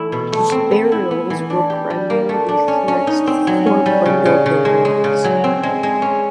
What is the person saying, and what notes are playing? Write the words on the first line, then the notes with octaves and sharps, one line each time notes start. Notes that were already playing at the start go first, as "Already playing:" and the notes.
Burials were primarily flexed or bundle burials.
Already playing: E3 A3 E4
B2
A3
C4
B3
E4
B3
E3
D4
G4
G3
A#3
A3
D4
C#4
C#4
D#4
C4
F#3
C#4
G3
C#3
C#3
C#3
G#3
G#3
C#3
F#3
C4
G#3
G#3
C#4